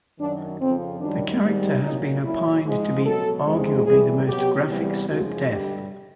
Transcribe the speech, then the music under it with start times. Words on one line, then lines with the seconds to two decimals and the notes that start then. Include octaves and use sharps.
The character has been opined to be "arguably the most graphic soap death".
0.19 F#2 D#3 F#3 D4
0.60 F2 C#3 F3 C4
1.00 F#2 D#3 G3 D4
1.41 G#2 D#3 G3
1.82 A#2 F#3 D#4
2.23 A#2 F#3 E4
2.63 G#2 F3 G#3
3.05 B2 F#3 A4
3.45 E2 C3 F3 G#3
3.86 A2 E3 G3 G#4
4.26 B2 F#3 G4
4.68 E2 C3 E3 G3
5.08 F#2 C#3 F3 G#3 F#4
5.49 G2 D3 G3 G4